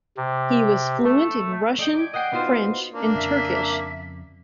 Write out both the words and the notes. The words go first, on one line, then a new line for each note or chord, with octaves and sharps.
He was fluent in Russian, French, and Turkish.
C3
A3
A3 D5 D#5 G5
D6 G#6
D#5 F#5 G5 C7 D7 D#7
B3 D#4 F4 F#4 C5
A#3 D4
F2 C#3 F3 E5